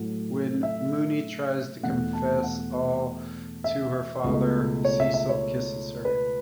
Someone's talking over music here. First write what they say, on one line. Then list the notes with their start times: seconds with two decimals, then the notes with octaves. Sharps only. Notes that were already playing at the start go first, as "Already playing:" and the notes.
When Mooney tries to confess all to her father, Cecil kisses her.
Already playing: A2 F#3 A3
0.63 E5
1.83 E2 B2 A3 F#5
2.13 A5
2.43 F#5
3.64 E5
4.24 C#2 B2 A3
4.85 C#5
5.00 E5
5.14 E5
5.29 C#5
6.05 B4